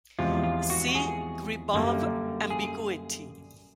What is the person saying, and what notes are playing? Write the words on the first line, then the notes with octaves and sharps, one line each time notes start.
See Gribov ambiguity.
E2 C3 F3 G#3 F4
F4
F#4
G#4
F#2 D3 G3 A#3
G#4